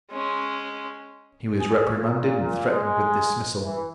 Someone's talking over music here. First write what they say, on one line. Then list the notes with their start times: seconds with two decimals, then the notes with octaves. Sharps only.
He was reprimanded, and threatened with dismissal.
0.11 G#3 C#4
1.58 G#4
1.91 A#2
2.70 G#3
3.63 E3